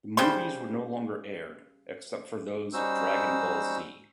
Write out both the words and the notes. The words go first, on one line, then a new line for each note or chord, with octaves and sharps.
The movies were no longer aired, except for those of "Dragon Ball Z".
C#3 G3 C5 C6
G3 C#4 D#4 F#4 C5 E6